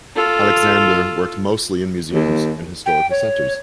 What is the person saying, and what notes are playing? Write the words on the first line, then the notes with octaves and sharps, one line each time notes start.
Alexander worked mostly in museums and historical centers.
F4 A4
D#2
G5
C#5